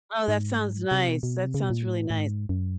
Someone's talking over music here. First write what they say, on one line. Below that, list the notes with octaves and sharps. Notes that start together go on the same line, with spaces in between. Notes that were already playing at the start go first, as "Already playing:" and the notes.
Oh, that sounds nice, that sounds really nice.
G#2
C3
B2
B2
C3
C#3
B2
A#2
A2
A2
G#2
F#2